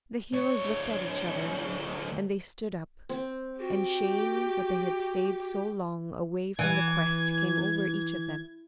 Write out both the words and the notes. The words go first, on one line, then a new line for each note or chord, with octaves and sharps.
The heroes looked at each other, and they stood up, and shame that they had stayed so long away from the quest came over each of them.
D2 C#5
C4
F#4 G4
E3 G#6